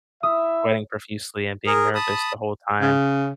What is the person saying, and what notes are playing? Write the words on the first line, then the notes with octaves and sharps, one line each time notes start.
sweating profusely and being nervous the whole time,
E4 E5 D#6
G#4 A#4
A5 B5 D#6
C#3